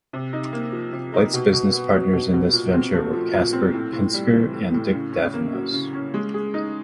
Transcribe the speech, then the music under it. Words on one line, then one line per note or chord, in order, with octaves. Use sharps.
Light's business partners in this venture were Casper Pinsker and Dick Davemos.
C3
D#4
A#3
F3
C3
D#4
B2
B2
B3
F#3
B2
B2
A#2
C4
A3
F3
A#2
C4
A2
A2
G3
E3
A2
A2
C#3
C#4
A#3
F#3
C#3
C#4
G#3
G#4
D#4